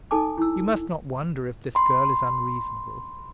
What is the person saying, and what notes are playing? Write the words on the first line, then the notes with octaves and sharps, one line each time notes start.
You must not wonder if this girl is unreasonable.
D#4 A4 G#5 A5 D6
E4 E6
B5 C6